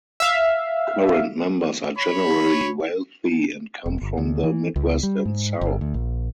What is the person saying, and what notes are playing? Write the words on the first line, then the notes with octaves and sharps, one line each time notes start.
Current members are generally wealthy and come from the Midwest and South.
E5 F5
C#5 B5
E1
G1
D2
E3
C#2
G3
G#2
G1
D2
A#1